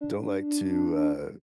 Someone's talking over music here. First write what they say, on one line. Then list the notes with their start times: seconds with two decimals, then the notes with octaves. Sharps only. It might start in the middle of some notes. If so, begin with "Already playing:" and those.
don't like to, uh,
0.01 D4